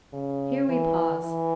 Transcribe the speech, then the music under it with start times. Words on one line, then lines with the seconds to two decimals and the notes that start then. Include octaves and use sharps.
Here we pause.
0.13 C#3
0.69 E3
1.24 E3